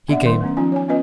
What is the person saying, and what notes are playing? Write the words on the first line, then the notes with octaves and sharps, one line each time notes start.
He came.
B3 D4 D5 E5 F#5
D#3 F#3 A#4 C6
A3 B3 C#4
F3 C#4 D#4 F4 G#5
C#5 G#5
B3 C#4 F4 B4 D#5 G#5